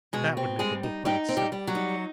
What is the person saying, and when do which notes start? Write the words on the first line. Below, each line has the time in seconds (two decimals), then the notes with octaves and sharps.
That would make a book by itself.
0.13 B2 G#3 G#4
0.37 C4
0.59 G3 G#3 G#4
0.83 D#4
1.05 G3 D#4 G4
1.29 C4
1.37 G3 G4
1.52 G3
1.67 F#3 F#4
1.75 D#4